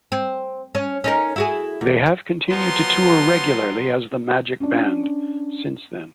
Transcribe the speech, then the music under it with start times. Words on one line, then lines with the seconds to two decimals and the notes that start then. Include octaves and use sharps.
They have continued to tour regularly as the Magic Band since then.
0.12 C4
0.75 C#4
1.04 C#4 D#4 A#4
1.36 E4 F#4 G#4
1.81 E2
2.50 F3 F#3 B3 A#5 C6
4.60 C#4 D4